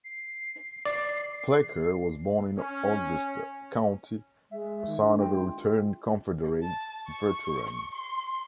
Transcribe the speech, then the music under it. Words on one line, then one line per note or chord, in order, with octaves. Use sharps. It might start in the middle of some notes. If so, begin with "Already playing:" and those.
Plecker was born in Augusta County, the son of a returned Confederate veteran.
C7
D5
C#4
G#3 E5
D#3
G#3 D4
F4 G5
A5
C#6
C6